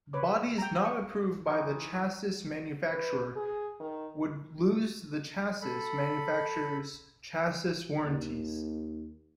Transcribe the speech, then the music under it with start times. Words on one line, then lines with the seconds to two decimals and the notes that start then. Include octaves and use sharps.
Bodies not approved by the chassis manufacturer would lose the chassis manufacturer's chassis warranties.
0.13 B4 C#5 D6
0.58 G5 A#5
0.84 C#6
1.47 D#3 E3
2.89 B4
3.36 G#4
3.80 D#3
5.62 A4 B5
8.05 D#2